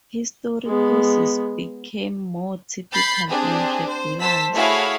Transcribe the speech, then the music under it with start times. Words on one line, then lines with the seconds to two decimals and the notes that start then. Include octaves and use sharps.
History courses became more typical and regularized.
0.66 G#3 B3
2.92 B5 G6 A6 C7
3.30 C4 D4 G4 G#4
3.88 C5
4.21 C5 A5 E6 B6
4.54 A3 E4 F#4 G#4 C#5 F5